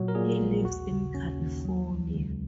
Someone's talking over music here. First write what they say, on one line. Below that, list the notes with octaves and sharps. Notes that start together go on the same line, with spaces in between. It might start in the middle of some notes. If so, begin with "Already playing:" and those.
He lives in California.
Already playing: A#2 F#3 F#4
A#4
A#2 G#4
A#1
D#2 F#4
C#3
D#2 C#4
D#2
F#3
C#2
C#2